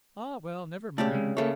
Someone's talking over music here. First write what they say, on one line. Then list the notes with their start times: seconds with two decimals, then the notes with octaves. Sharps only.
Ah, well, never mind.
0.98 C#3 A3 G4 D5 A5
1.11 C3 G#3
1.37 C#3 A3 A#3 A4 C#5